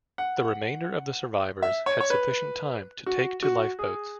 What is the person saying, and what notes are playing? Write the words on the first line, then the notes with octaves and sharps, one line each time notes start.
The remainder of the survivors had sufficient time to take to lifeboats.
F#5
E5
C#5
C#5
B4
F#4
F#4
G#4